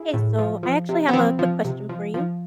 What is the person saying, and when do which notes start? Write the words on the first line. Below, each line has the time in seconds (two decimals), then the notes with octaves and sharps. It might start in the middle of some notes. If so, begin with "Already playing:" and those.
Hey, so I actually have a quick question for you.
Already playing: E4 G#4
0.14 A2
0.38 F3
0.63 F3
0.89 C3
1.08 B3
1.13 F3 C4
1.39 F3
1.65 C3
1.89 F3
2.14 F3